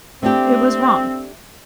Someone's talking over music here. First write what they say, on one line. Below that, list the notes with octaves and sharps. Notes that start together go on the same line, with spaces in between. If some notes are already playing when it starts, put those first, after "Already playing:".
It was wrong.
A3 C4 D4 G4